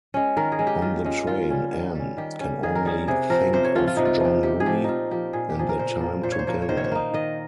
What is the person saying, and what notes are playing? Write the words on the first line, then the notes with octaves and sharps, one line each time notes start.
On the train Anne can only think of Jean-Louis and their time together.
G#3 C#4
D#3 A#4
G#4
G#3 C#4
G4
D#3 F4
G#3 C#4
D#3 F4
G3 C#4
D#3
G3 C#4
D#3 G4
G3 C#4
D#3 G#4
A#4
G3 C#4 G#4
C3 G#4
F3 C4 A#4
C3 C5
C#5
F3 C4 F4
F4
C3 D#4
F4
F3 C4
C3 G4
G#4
F3 C4 G4
A#2 D#4 F4
F3 A#3 G4
A#2 G#4
G4
F3 A#3 G#4
A#4
A#2 C5
F3 A#3
A#2 C5
C#5
C5
F3 A#3 C#5
C5
C#5
D#3 C5
C#5
C5
A#3 D#4
D#3 D#5